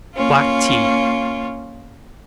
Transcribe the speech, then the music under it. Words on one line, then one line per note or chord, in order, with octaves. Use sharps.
Black Tea.
A#3 C#4 F4